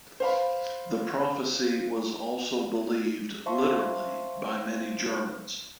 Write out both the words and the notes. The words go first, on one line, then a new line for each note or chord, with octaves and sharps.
The prophecy was also believed literally by many Germans.
C5 F5 B5
C5 E5 F5 A5 C6 C#6